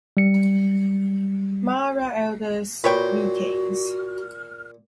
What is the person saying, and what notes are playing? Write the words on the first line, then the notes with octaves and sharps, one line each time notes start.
Mara Elders Meetings.
G3 C#7
A#2 F#4 B4 C#5 G5